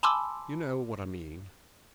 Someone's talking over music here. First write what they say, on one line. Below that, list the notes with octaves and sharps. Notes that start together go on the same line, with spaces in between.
You know what I mean.
G#5 A5 B5 C6 D6 E6